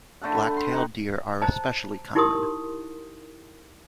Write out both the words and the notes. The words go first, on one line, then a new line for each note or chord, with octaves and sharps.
Black-tailed deer are especially common.
D3 A3 A4 F#5
B5
C6
D#4 F#5 G5
C5 D#5 A5 A#5
D#4 E4 G4 A#4 C6 D#6